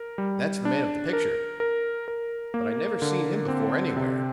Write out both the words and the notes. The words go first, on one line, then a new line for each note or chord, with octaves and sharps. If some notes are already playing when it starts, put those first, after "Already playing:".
"That's the man of the picture; but I never seen him before, anywhere."
Already playing: A#4
G3
D4
A#4
A#4
A#4
A#3
D3
C4
C3